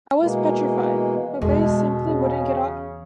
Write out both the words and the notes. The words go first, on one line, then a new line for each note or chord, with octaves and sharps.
I was petrified, but Bay simply wouldn't get off.
B2 E3 G#3 A#3
E2 B2 G#3 A3
C#3